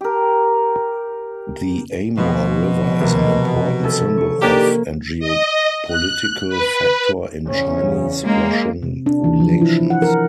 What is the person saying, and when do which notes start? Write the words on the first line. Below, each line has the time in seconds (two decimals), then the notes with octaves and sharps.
The Amur River is an important symbol of, and geopolitical factor in, Chinese-Russian relations.
0.01 G4 A#4
2.17 B2 F3
2.99 C3 D#3 E3
3.83 C#4 E4 A4
4.18 C#6
4.41 D#3 A#3 C#4 D4 G4
5.20 D#5
5.88 F#6
6.49 B4
7.47 E2 C#3 C#4
8.23 G#3 A#3
8.83 C3
9.06 D4
9.24 E3
9.40 F3
9.61 E4
9.90 F#5
10.02 A#4